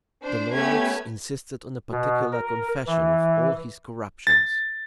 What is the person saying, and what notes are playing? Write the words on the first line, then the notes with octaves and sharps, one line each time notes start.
The lords insisted on a particular confession of all his corruptions.
D4 C5
A3 B3 C#4 G4 B5 G#6
B2
A#4
E3
A6